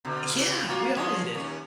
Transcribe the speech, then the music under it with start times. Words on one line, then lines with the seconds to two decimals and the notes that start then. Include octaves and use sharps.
Yeah, we all eat it
0.05 B2 D3
0.35 C#3 E3
0.68 A#3 F4 F#4
0.96 F3 G#3 C#4
1.34 D#2 C#4